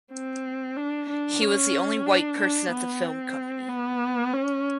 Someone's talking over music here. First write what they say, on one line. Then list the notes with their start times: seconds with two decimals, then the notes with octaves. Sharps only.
He was the only white person at the film company.
0.12 C4
0.77 D4
1.10 D4
1.42 C#4
2.06 D4
2.39 D4
2.71 B3
3.04 C4
3.68 B3
4.33 C#4